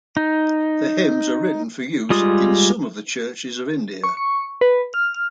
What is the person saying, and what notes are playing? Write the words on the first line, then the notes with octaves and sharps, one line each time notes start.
The hymns are written for use in some of the churches of India.
D#4
G3 G#3 F4 D#6
C#6
C#6
B4
F6